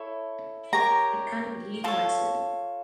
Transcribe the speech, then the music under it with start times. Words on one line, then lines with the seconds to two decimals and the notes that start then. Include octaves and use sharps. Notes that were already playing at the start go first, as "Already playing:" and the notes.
I can’t believe myself.
Already playing: E4 A4 C#5
0.73 G4 A#4 C#5 A#5
1.84 F4 A4 C#5 A5